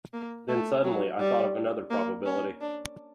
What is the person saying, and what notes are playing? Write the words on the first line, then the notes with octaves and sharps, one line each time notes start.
Then suddenly I thought of another probability.
A#3
A3
F#3
G3
A#3
C#4
D4